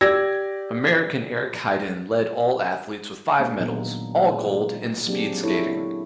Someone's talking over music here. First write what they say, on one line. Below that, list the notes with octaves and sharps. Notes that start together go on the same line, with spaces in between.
American Eric Heiden led all athletes with five medals, all gold, in speed skating.
G4 D5 E6 G#6 A#6
G#3 A#3 D4
A#2 D#3 F#3 B3 D#4
G#3 D#4 B4
F4
F#3 A#3 C4 D4 G4 G#4
D4 E4 A4 C#5